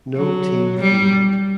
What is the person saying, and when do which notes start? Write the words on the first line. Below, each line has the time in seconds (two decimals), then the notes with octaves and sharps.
No team fielded.
0.16 F#3
0.80 G3